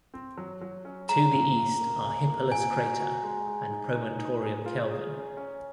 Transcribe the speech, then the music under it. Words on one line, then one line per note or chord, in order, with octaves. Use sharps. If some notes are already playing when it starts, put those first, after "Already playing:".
To the east are Hippalus crater and Promontorium Kelvin.
C4
F#3
F#3
C#4
G#3 A#5
A#2
A#2
A#3
C#3
A#3
A#2 G#5
F#4
F#4
G#3
G#3
D#4
D#4
D#4
G#4
F4
G#4
C#4
C#4